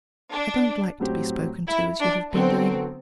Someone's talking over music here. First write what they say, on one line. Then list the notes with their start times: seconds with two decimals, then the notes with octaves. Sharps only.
I don't like to be spoken to as you have been doing.
0.32 D4
1.00 A2 F#3 C4 G4
1.67 E4
2.00 D4
2.34 D3 F#3 B3 C4 F#4 A4